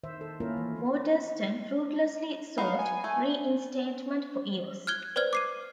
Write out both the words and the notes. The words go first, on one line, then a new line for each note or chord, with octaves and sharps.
Watterston fruitlessly sought reinstatement for years.
D#3 C5 E5
A4
A3 A#3 C#4 E4 F4 A#4
E3
B3 D#4 F#4 F5
G#5
A3
F6 F#6 G#6 G7
B4 C5 D5 F6 G#6
D6 C7 D#7